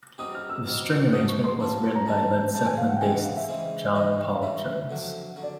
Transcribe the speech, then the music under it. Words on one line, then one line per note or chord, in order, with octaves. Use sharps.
The string arrangement was written by Led Zeppelin bassist John Paul Jones.
B2 G3 C4 D#4 G4 D#6
F6
E6
B2 G3 C4 D#4 G4
A#2 F#3 B3 D4 F4 D#6
C#6
C6
A#2 F#3 B3 D4 F4 A5
A#5
A2 E3 G3 C4 A5
A2 E3 G3 C4 A5
G#5
F5
F#5
G5
C#3 E3 G#3 C4 G#5
F#5
F5
E5
C#3 E3 G#3 C4
G2 E3 G3 D#5
F5
G2 E3 G3 E5
F2 D3 F#3
D3 F#3
D5